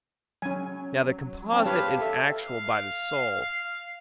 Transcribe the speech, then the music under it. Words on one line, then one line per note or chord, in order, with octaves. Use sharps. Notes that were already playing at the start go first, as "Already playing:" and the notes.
Now the composite is actual by the soul.
F#3 C#4 G#5
C4 D4 A5
G4 B4 C#5 F5
A4 E5
F5
F5